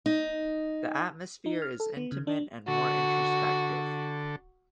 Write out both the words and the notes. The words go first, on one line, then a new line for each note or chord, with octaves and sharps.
The atmosphere is intimate and more introspective.
D#4
D#4
F6
A4
B3
C#3
D4
D3 F#4 A4